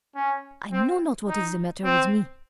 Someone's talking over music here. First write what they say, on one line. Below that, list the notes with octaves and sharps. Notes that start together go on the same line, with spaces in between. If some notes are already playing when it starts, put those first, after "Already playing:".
I know not what is the matter with me.
C#4
C4
D#4
C4